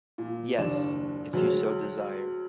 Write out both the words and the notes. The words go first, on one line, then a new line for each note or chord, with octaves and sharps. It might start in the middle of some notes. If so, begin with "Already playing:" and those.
Yes, If you so desire.
A#2
F#1 D#2 D4 E7
D2 F#3 G#3